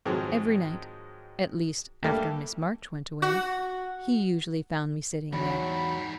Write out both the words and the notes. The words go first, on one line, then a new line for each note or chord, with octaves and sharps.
Every night--at least after Miss March went away--he usually found me sitting there.
G#2 D#3 F3 F#3 G#3 C4
G3 A3 A#3 D4 G4 A4
F#4
E2 G#2 F#3 G3 B5